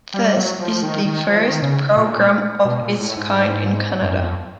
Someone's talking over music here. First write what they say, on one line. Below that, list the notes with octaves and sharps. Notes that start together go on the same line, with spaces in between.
This is the first program of its kind in Canada.
G3
F#3
F3
D#3
D#3
F3
D#3
C#3
A#2
B2
A#2
A2
G#2
F#2
F2